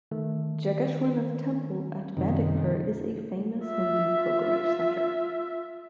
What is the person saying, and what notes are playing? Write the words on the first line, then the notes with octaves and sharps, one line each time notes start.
Jageshwarnath temple at Bandakpur is a famous Hindu pilgrimage center.
D#3 A3 A4
F#2 C3 D#3 G3
F4 E5